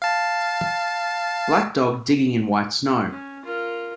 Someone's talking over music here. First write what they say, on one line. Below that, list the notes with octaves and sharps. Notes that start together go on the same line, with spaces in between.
Black dog digging in white snow.
F5 A5
C#4
F4 A#4